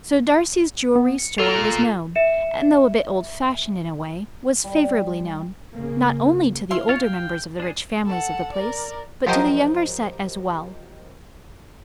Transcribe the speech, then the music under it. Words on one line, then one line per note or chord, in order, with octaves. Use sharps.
So Darcy's jewelry store was known, and though a bit old-fashioned in a way, was favorably known, not only to the older members of the rich families of the place, but to the younger set as well.
B3
C#7
F4 A4 A#4
E5 C#7 E7
G3
C#3 A#3
E4 F5 C6
F4 C#5
G5
D4 G#4
A4 F#5
A#4 D5
F3 F#3 G4 A#4 C5 D#5